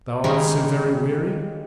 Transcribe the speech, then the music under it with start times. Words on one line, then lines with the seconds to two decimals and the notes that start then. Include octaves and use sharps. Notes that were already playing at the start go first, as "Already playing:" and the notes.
Thou art so very weary?
0.24 D#3 G3 G#3 A#3 C#4 D#4